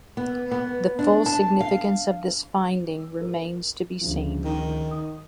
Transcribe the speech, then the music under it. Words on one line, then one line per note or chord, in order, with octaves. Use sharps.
The full significance of this finding remains to be seen.
B3
B3
D4
A5
F5
A#4
D2 C#3 F3
D#3
D#6